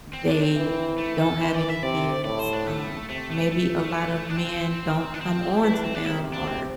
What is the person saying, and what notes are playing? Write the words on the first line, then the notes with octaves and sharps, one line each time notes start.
They don't have any kids. Um, maybe a lot of men don't come on to them or
C4
D4
C4
E3
A3
A4
E3 C5
D5
E5
C3 D5
A2 D5
C5
D4
A3
C3 A3
A3
A3
D4
C4
D4
C4
E3 E4
D4
C4
D4
C3 E4
D4
C4